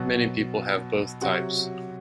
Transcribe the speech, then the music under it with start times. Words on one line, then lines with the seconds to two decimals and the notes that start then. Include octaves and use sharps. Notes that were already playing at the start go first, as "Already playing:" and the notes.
Many people have both types.
Already playing: B2 F#3 F#4 F#5
1.21 C3 F#3 F#4 F#5